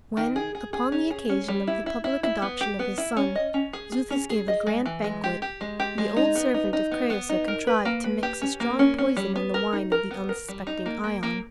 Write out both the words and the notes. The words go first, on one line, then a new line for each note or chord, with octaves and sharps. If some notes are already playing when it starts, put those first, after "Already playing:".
When, upon the occasion of the public adoption of his son, Xuthus gave a grand banquet, the old servant of Creusa contrived to mix a strong poison in the wine of the unsuspecting Ion.
D#3
G#4
G#4
G#4
C#4
G#4
C#4
G3
E4
E4
E4
E4
B3
G4
B3
E4
C#4
D#5
C#4
G#4
G#4
C#4
G#4
D#5
G#3
E3
G#3
G4
G4
G#3
G4
G#3
D#4
B3
D#4
D#4
B3
B3
D#4
A#4
B4
A#3
B4
G4
C#4
A#3
C#4
C#4
G3
B3
A#4
D#4
A#4
B3
A#4
G3
D#4
A#3
A#3
A#3